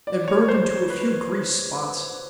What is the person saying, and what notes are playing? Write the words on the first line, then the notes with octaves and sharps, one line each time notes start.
It burned him to a few grease spots.
D5
C#5
C5
B4